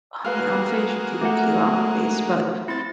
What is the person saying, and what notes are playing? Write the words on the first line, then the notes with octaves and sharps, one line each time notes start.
I mean, I'm say you should do the peel off base, but
G#3 A#3 F#4 B4 F5 F6
A3 A#4 F#5
C4 E4 A6